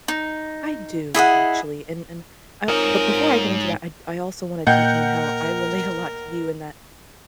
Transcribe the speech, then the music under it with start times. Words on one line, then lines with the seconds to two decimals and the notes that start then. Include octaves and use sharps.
I do, actually, and and I but before I get into that, I I also wanna touch on how I relate a lot to you in that
0.08 D#4
1.14 E4 G#4 D#5 F#5
2.68 G#2 C4 D#4 F4 A#4 C#5
4.67 A#2 A#4 D#5 F#5 G5 G6